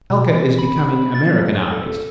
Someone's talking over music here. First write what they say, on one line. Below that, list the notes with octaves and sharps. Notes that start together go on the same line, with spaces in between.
Alca is becoming Americanised.
B2
E3
B5
A6
F#3
A4